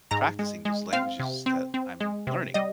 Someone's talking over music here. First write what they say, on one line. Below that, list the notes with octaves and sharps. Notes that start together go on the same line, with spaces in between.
practicing those languages that I'm learning
G#2 A#5
G#3
G#3
C4 F5
C3
C4
C4
G#3
C3
G3 D#5